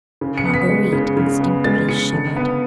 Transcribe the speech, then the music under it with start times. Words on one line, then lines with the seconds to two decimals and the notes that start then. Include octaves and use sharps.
Marguerite instinctively shivered.
0.21 C#3
0.38 C#7
0.45 B3
0.54 B6
0.69 G#3
0.93 C#3
1.17 C#3
1.41 B3
1.64 G#3 A6
1.89 C#3 C#7
2.13 D3
2.36 B3